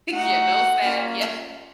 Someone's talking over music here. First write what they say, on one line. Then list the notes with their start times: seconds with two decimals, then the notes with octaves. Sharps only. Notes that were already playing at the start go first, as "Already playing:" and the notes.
Yeah, no sad. Yeah
0.12 A3 D#4 F#4 F#5
0.82 A#3 C#4 F4